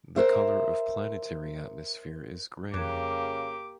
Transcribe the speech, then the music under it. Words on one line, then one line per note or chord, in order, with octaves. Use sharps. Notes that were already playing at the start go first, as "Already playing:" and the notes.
The color of planetary atmosphere is grey.
A#4 C5 E5
F2 C#3 A#3 G4 D6